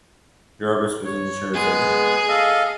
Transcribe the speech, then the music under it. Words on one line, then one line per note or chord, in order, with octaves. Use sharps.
Jarvis was an insurance agent.
C#5
G#3 B3 G#4
A4 D#5 F5